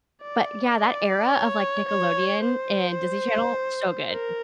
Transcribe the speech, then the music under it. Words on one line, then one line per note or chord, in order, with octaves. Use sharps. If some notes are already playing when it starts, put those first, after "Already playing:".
but yeah, that era of, like, Nickelodeon and Disney Channel, so good.
D5
D5
C#5
C#5
C5
A#4